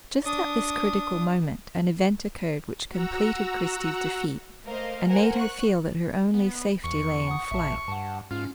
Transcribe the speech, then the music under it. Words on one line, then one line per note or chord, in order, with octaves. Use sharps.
Just at this critical moment an event occurred which completed Christie's defeat, and made her feel that her only safety lay in flight.
D4 D#6
F#4 F#5 A#5 E6
A3 A#3 A#4 C5 D#5 F5
A#4 C5 F#5 G#5 A#5
C#6 F#6
B3
E2 C#6
F#5 D#6
A1 E5 A5
G2 F#5 A5
G#2 C#4 F4